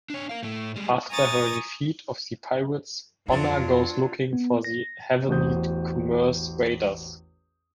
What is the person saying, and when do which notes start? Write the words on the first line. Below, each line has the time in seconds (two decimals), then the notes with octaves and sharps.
After her defeat of the pirates Honor goes looking for the Havenite commerce raiders.
0.10 D4 C#5
0.29 A#4 F5
0.43 A2 A3
0.76 G3 G#3
1.10 G#5 A#5 C#6 D#6 A6
3.28 F2 F#3 D4 F4 D5
4.33 B3
4.64 A#6
5.28 A1 E2 F#4 C5 D#6 G6